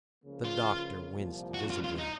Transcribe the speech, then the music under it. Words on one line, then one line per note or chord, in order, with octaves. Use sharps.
The doctor winced visibly.
C#2 C#3 F3 A#3
F4
C2 A#2 F3
F#4
F4
F4
D#4